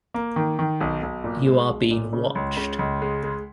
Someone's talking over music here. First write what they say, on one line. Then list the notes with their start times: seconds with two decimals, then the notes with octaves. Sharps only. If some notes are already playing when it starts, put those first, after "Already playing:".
You are being watched.
0.14 A#3
0.36 D#3
0.59 D#3
0.81 B1
1.03 B1
1.24 A#2
1.47 G#3
1.69 B1
1.91 A#2
2.13 C#3
2.35 C#2
2.57 C#3
2.79 C#2
3.02 G#3
3.23 G#3